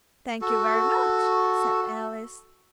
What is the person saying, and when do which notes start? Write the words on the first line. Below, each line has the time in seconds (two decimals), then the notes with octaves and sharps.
'Thank you very much,' said Alice.
0.41 F#4 A4